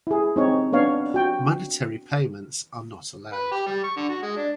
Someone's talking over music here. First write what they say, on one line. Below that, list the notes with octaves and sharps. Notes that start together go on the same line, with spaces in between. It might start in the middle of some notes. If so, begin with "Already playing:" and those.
Monetary payments are not allowed.
E4 G#4
C4 D#4 C#5
B3 D4 C#5 F5
F#4 G5
B4
G4
G3
C#6
D3
F#4
G#3
D4